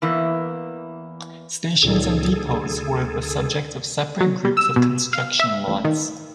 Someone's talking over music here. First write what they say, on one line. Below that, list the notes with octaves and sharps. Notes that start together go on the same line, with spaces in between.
Stations and depots were the subject of separate groups of construction lots.
E2 E3 A#3
C#2 A#2 D#3 G#4 A4
D2
F#3
G3
E6
B2
F5
E5
A1
D#3